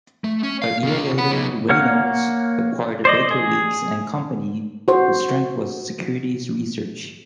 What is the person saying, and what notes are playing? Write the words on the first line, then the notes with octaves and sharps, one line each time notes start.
A year later, Reynolds acquired Baker Weeks and Company whose strength was securities research.
A3
C#4
F5
C#3 F4
F#5 B5
B3 D#4
A#3 C#5 F#5 F6
C5 D5 D#5
G#4
F#4 C5